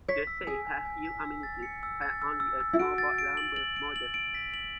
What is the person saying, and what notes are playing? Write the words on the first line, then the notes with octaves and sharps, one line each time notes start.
The same had few amenities: had only a small box lumber modest.
C#5 B6
E6
G#4 G#5
G#5
G#5
B6
E6
A6
C#7
E6
A6
E6
E6
E6
E4
F#4 D7
A6
D7
F#7
F#7
D7
F#7
D7
B6
F#7